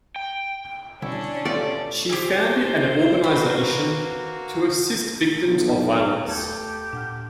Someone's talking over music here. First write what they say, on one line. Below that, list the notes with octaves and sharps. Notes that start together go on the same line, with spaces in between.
She founded an organization to assist victims of violence.
G5
B2 D3 G3 C#4 D4 E4
B2 A3 F4 G4 A4 D5
G4 G#4 C5
A#3 F#4 B4 B5
B1
D#2 A3 G4 A4 G#6
A#2 D4 F#5 F6